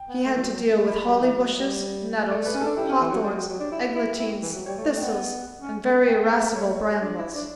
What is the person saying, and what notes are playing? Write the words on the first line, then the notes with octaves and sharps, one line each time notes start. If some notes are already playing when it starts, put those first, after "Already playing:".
He had to deal with holly bushes, nettles, hawthorns, eglantines, thistles, and very irascible brambles.
Already playing: G5
B3
A3
E3
F#3
F#3
A3
A3 B5
G3 B5
G5
E3 E5
F#3
G3
A3 D5
A3 B4
C#4
D4 A4
E4 G4
C#4
E3
F#3
G3
F#3
F#3
D4
E4
E4
E4
E3
F#3
G3 C#5
A3
E5
A3
B3 G5
C#4
A3
B3
A3 G5
G5
E5
C#5
D4
E4
D4